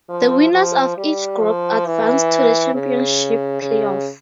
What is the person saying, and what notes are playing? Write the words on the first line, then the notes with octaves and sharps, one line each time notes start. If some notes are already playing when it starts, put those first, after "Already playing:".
The winners of each group advance to the Championship playoff.
F3
F3
G3
F3
E3
C#3
C#3